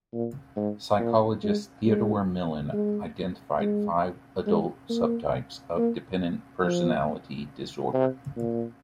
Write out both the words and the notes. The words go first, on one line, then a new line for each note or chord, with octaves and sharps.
Psychologist Theodore Millon identified five adult subtypes of dependent personality disorder.
A#2
G#2
A#2
G#3
G#3
G#3
G#3
G#3
A#3
A#3
F3
C3
A#2